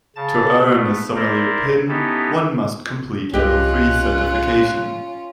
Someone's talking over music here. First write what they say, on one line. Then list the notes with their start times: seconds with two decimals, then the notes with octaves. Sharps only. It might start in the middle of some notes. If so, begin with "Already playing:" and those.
To earn a sommelier pin, one must complete level three certification.
0.16 C#3 A5 A6
0.62 A3 B3
1.16 E4 A#4 C5 D5
1.88 B3 C#4 D#4 E4 G4 A4
3.33 C2 C#4 F4 G4 D#5 F#6